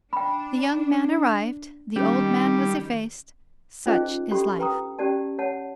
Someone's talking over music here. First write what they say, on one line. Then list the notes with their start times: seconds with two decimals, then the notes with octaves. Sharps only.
The young man arrived, the old man was effaced; such is life.
0.13 D4 G5 B5
1.96 D#3 G3 C#4
3.86 C#4 D#4 F4 G#4 C5 D#5
4.31 C#4 D4 G4 A4 B5
4.59 B4 G5 A#5 D#6
4.99 C#4 G4 D5 A5
5.38 C#5 F#5 A5